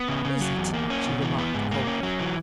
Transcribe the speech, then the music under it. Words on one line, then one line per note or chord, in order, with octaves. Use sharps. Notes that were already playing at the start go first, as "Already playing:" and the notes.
"Is it!" she remarked coldly.
Already playing: B3
C#3
C#3
F#3
E2
A#3
C#4
B2
E3
B3
G#2
A#3
C#4
F#3
E3